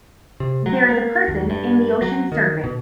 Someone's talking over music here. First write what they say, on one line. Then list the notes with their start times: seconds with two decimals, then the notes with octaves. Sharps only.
There is a person in the ocean surfing.
0.40 C3
0.66 F#3
0.89 A#3
1.28 D#2
1.50 G2
2.02 F#3
2.32 D#3
2.64 B2